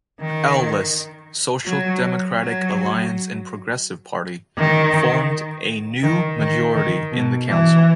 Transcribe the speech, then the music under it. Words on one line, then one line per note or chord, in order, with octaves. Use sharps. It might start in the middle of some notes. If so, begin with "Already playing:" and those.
L-list, Social Democratic Alliance and Progressive Party formed a new majority in the council.
D#3
F#3
F#3
D#3
D#3
D#3
D#3
B2
E3